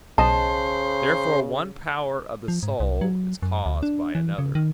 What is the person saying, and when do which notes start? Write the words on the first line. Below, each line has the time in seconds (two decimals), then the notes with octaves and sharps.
Therefore one power of the soul is caused by another.
0.18 B1 C#3 C5 D#5 A5
2.48 F3
2.63 G#2
2.80 C2
3.01 F#3
3.43 F#2
3.66 D2
3.83 D4
4.15 E3
4.39 C#3
4.55 D#3